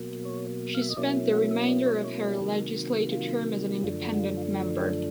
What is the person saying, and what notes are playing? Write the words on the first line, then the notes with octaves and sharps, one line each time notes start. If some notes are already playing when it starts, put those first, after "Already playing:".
She spent the remainder of her legislative term as an independent member.
Already playing: B2 F#3 A#3
C#5
F5
E5
D#5
B2 F#3 A#3 C#4 E4 D5
F#5
E5
D5
C#5
C#5
A4
A#4
G#4
C3 D#3 F#3 A#3 A4
F4
F#2 D3 F3 A3 D4 F4
F#4
F#4
F4
F4
F#4
G4